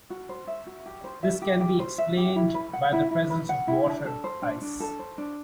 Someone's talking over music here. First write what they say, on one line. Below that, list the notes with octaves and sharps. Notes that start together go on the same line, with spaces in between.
This can be explained by the presence of water ice.
F#4
C5
E5
F#4
G4
C5
E5
G4
G4
C5
E5
G4
E4
B4
F#5
E4
E4
B4
F#5
E4
D4
A4
C5
D4
D4
A4
C5
D4